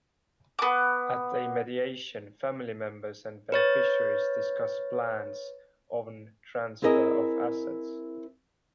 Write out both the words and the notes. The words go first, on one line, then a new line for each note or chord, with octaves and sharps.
At a mediation, family members and beneficiaries discuss plans on transfer of assets.
B3 D6
B4 C#5 A6
C4 E4 G#4 A#4 D#5